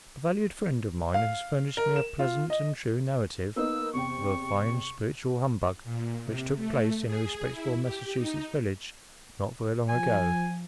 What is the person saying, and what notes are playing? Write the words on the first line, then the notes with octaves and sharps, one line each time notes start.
A valued friend of mine has furnished me a pleasant and true narrative of a fine "spiritual" humbug which took place in a respectable Massachusetts village not very long ago.
F5
A#4
E7
F4
D#5
A#3 B3 D#4 E6
E2 C3 G5 C#6
A#2
C3
A3
G#4
E4
G4
D#4
F3 G#5